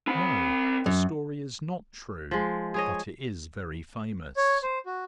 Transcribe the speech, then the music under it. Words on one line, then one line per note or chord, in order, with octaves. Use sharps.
No, the story is not true, but it is very famous.
C4 B5
F#2
F3 G#3
G#4 C#5 D#5
C#5
C5
F#4